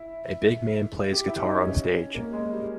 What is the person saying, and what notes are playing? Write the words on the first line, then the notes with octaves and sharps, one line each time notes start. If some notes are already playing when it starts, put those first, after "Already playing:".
A big man plays guitar on stage.
Already playing: E4
G4
E4
D#4
C#4
A#3
G#3
G3